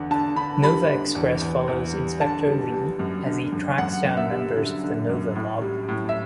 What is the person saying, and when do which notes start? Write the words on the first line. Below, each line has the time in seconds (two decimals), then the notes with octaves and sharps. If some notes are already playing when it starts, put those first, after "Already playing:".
"Nova Express" follows Inspector Lee as he tracks down members of the Nova Mob.
Already playing: E2 D3 F#5
0.11 D3 A5
0.36 D3 B5
0.62 G3 B5
0.89 D3
1.15 E2
1.41 E2
1.68 E2
1.94 G3
2.21 D3 A5
2.47 G3
2.73 G3
2.99 F#2
3.26 D3
3.52 F#2
3.78 F#2 F#5
4.05 F#2
4.17 E5
4.31 G3
4.57 D3
4.84 D3
5.09 F#2
5.35 A2
5.62 G3
5.89 A2
6.09 E5